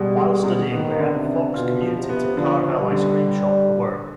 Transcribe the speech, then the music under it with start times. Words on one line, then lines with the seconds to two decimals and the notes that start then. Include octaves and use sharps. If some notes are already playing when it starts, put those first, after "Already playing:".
While studying there, Fox commuted to Carvel ice cream shop for work.
Already playing: B2 G3 G#3
0.17 G#3
0.44 B2
0.71 D#3 B3
0.99 D3
1.12 C3
1.27 D3
1.54 B2 F4
1.82 F3
1.95 C3
2.09 B3
2.36 D3 F3
2.64 D4
2.79 G3
2.92 D3